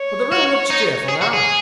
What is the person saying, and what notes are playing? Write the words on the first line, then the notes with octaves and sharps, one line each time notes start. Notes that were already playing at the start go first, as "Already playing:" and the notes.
But the room looks cheerful now.
Already playing: C#5
F#4
D#4
G#4
F#4
G#4